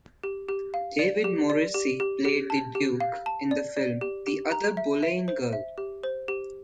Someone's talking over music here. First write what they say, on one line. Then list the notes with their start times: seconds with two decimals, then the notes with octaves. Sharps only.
David Morrissey played the Duke in the film "The Other Boleyn Girl".
0.24 G4
0.49 G4
0.74 F5
0.99 D5
1.24 G4
1.50 D5
1.74 G4
2.00 G4
2.25 G4
2.50 A5
2.75 G4
3.00 F5
3.26 A5
3.51 D5
3.77 D5
4.01 G4
4.27 G4
4.52 A#5
4.77 E5
5.02 E5
5.28 C5
5.53 E5
5.78 G4
6.04 C5
6.28 G4